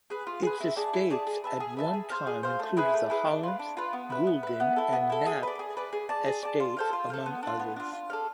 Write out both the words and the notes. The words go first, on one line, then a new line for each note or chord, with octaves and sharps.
Its estates at one time included the Hollins, Gulden, and Knapp estates, among others.
G#4 B4
F4
G#4 B4
E4
G#4 D5 A5
E4
G#4 D5 A5
G#4
B4 E5 A5
G#4
B4 E5 A5
G#4
C5 F5
G#4
C5 F5
A3
E4 G#4 B4
A3
E4 G#4 B4
D4
F4 B4
D4
F4 B4
B3
E4 B4
B3
E4 B4
B3
E4 A4
B3
E4 A4
G#4
B4 D5
G#4
B4 D5
G#4
D5 A5
G#4
D5 A5
F4
A4 C5 F5
F4
A4 C5 F5
B3
D4 F4
B3
D4 F4
F4
A4 D5 F5